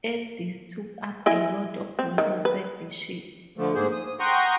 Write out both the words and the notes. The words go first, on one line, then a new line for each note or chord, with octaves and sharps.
At this took up a lot of room inside the ship.
E4 D#5 G#5
C4
D#3
B4
D3 F3 A3
G#2 A#3 G#4 C5
D#6
F#5 G5 A#5 C6 C#6 D#6